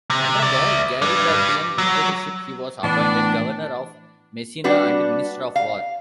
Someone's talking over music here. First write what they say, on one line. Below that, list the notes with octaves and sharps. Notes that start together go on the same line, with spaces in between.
Under the Garibaldian Dictatorship he was appointed governor of Messina and minister of war.
C3
D5 E5
G3 B4
F#3
A2 E3 B3 D4
G3 D4 F#4 B4
F5